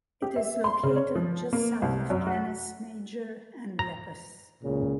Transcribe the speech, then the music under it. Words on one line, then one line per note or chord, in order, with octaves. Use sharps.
It is located just south of Canis Major and Lepus.
G4
E5
C6
C#3
C#5
F3
A#3
C2
F#2
F#4
A#5
C#2 A#2 C#3